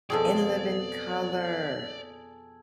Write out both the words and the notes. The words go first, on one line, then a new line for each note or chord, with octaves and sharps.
In Living Color.
F2 B2 F3 G#4 A4 D5